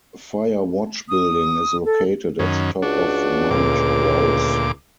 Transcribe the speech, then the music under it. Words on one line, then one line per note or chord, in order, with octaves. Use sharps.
A fire watch building is located at the top of Mount Rouse.
D#6
A4
F#2 D#3 C#4
C#2 D4 F#4
D2 A#2 D6